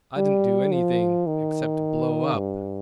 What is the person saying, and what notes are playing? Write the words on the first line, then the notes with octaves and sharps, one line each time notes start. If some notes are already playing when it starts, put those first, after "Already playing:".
"I didn't do anything--except blow up."
G3
F3
D#3
G2